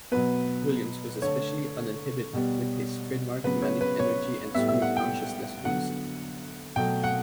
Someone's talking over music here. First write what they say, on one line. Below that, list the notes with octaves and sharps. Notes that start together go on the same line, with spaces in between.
Williams was especially uninhibited with his trademark manic energy and stream-of-consciousness lunacy.
B2 F#3 B3 B4
D3 A3 C#5
B2 G3 B3
C#3 F#3 B3 B4
C#5
B4
C#5
A2 G3 B3 E5
E5
F#5
G5
D3 F#3 B3 F#5
B2 F#3 A3 G5
F#5